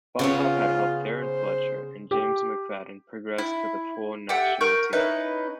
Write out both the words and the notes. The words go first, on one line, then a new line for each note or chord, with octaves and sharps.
Bonhof had helped Darren Fletcher and James McFadden progress to the full national team.
C#3 B3 C#4 F4
C5
G4
E4
G4 A4 E5 F#5
A#4 C#6 G6
C#4 D#4 E4 B4